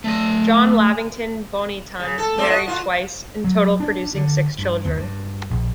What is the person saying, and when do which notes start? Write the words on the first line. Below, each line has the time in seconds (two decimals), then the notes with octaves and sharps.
John Lavington Bonython married twice, in total producing six children.
0.04 A3 D#5
2.00 C#3
2.18 A4
2.38 A3 C4 D5
2.50 F#4 D#5
2.68 F4 F#4
3.44 F#3
3.80 D4
4.14 D3
4.58 G2
4.85 D#2
4.97 G2
5.50 A#1